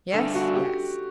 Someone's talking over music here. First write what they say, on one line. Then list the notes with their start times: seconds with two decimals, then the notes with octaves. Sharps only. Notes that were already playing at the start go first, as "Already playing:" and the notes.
"Yes, yes."
0.13 G2 D3 A3 A4
0.35 F#4
0.56 G4